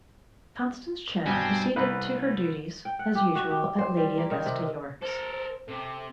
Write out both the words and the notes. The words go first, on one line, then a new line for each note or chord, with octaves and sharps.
Constance Channing proceeded to her duties as usual at Lady Augusta Yorke's.
G2 B2 G3 C4 D4 G#5
C2 B4
G5
F#5
G4
F#4
G4
C5
G3
A#3
D#3
C3
A4 A#4 C5
C5
C3 A4